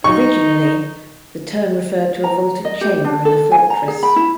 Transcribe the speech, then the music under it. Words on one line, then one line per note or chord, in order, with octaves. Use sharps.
Originally, the term referred to a vaulted chamber in a fortress.
D#4 C#6
A#5
D#5
G4
D4
A4
G#5
A#5
G#4
B5
E4